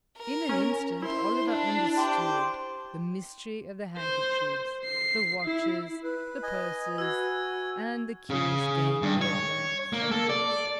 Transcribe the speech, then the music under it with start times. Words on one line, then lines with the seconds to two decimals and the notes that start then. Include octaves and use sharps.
In an instant Oliver understood the mystery of the handkerchiefs, the watches, the purses and the curious game he had learned at Fagin's.
0.18 A#4
0.49 C#4
1.02 E4 C5
1.49 D4
1.97 G4 C5
3.97 C5
4.85 C7
5.45 E4
6.03 B4
6.43 D#5 G#5
6.98 F#4 G#5 E6 G#6
8.30 C#3
9.02 G2
9.21 C#5
9.93 A#3
10.11 A4
10.29 D5